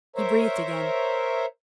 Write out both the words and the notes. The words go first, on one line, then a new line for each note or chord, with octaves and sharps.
He breathed again.
A#4 C5 C#5 E5 A#5